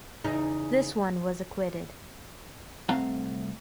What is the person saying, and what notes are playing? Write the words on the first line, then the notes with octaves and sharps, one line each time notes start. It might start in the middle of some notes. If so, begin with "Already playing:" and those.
This one was acquitted.
E2 C#3 D#4
C2 A3 C4 F5 F#5 A#5